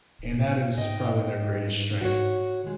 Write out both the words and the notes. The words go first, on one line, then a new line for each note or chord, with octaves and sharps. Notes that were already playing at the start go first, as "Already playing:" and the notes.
and that is probably their greatest strength.
D1
A2
G#2 D#5 G5
F#4 C#5
D#3 G#3